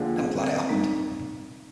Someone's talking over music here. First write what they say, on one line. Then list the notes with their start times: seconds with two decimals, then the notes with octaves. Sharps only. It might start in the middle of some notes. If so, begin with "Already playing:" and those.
I'm glad it happened.
Already playing: D#2 D3 F3 G#3
0.17 C4
0.44 C4
0.69 D#4